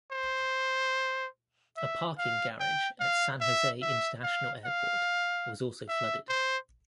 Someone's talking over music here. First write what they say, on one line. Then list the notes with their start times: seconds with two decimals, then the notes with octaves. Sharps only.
A parking garage at San Jose International Airport was also flooded.
0.12 C5
1.77 E5
2.18 F5
2.60 G5
3.00 F5
3.41 E5
3.82 E5
4.23 F5
4.65 F5
5.89 E5
6.29 C5